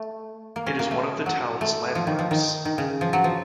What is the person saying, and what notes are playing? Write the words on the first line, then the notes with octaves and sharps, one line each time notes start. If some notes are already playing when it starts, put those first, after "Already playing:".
It is one of the town's landmarks.
Already playing: A3
A#3
C#4
A#3
A3
F#3
A3
F3
D#3
F3
D#3
D#3
C#3
F3
F#3
F3